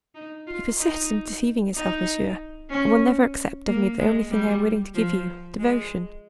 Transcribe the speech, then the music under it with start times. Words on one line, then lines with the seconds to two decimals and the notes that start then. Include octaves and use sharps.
"You persist in deceiving yourself, monsieur, and will never accept of me the only thing I am willing to give you--devotion."
0.15 D#4
0.47 F4
0.78 D#4
1.75 D#4
2.70 C#4
3.67 A#3
3.99 G#3
4.31 G3
4.94 F3
5.59 G#3